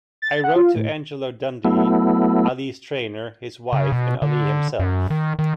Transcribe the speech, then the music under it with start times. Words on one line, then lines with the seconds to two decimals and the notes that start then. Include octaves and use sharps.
I wrote to Angelo Dundee, Ali's trainer, his wife and Ali himself.
0.22 A6
0.44 F#5
0.56 F4
0.76 A2
1.65 F#3 A3 B3 E4
3.73 C#3
3.92 B2
4.22 D3
4.79 F#2
5.10 D#3
5.39 D#3